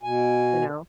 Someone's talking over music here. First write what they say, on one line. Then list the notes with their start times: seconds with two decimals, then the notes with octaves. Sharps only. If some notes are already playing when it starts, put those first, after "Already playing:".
You know?
0.03 B2 G#5